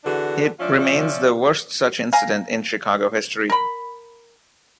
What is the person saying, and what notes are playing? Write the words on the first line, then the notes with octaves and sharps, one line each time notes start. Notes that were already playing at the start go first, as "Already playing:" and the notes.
It remains the worst such incident in Chicago history.
D3 E3 D4 F#4 G#4
F3 C#4 F4 D5 E5
F5 G#5 A#5
A#4 B5